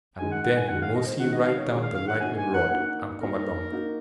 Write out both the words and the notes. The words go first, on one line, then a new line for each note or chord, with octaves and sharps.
And then mosey right down the lightning-rod and come along.
D#3 G#3 D#4 F#4 G#5
F#5
F#5
G#5
D#3 G#3 D#4 F#4 F#5
F5
D#5
C5
D#3 G#3 D#4 F#4 F#5
D#5
F5
C#5
D#3 G#3 D#4 F#4 C#5
F5
F5
F#5
A#3 D#4 F#4 G#5
G#5
F#5
A#3 D#4 F#4 F#5
A#3 D#4 F#4 A#4
A#3 D#4 F#4